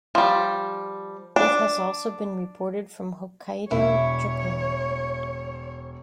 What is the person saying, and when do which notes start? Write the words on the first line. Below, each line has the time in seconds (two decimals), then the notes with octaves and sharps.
It has also been reported from Hokkaido, Japan.
0.15 F3 G3
1.36 D4
3.71 E1 E4 C#5